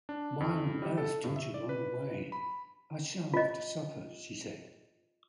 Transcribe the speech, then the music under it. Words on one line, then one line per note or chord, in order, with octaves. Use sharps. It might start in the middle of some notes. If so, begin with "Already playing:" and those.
"Why on earth don't you run away?" "I shall after supper," she said.
D4
F2
G3
A4
G2
E5
D5
B4
B5
F4 D#5